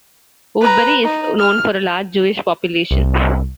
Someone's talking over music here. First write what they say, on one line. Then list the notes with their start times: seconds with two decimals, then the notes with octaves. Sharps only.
Woodbury is known for a large Jewish population.
0.61 B4 A#5
1.04 D#4
1.39 F6
2.91 C2